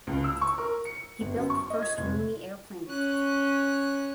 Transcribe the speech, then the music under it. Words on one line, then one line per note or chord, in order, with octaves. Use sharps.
He built the first Mooney airplane.
C#2
E6
C#6
A#4
C#7
G1
F#2
C#6
D#5
G#6
F1
C#4 F#6